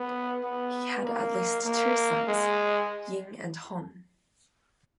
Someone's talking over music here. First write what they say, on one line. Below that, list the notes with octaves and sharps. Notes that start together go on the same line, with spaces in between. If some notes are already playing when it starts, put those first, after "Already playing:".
He had at least two sons: Ying and Hong.
Already playing: B3
B3
A#3
A#3
G#3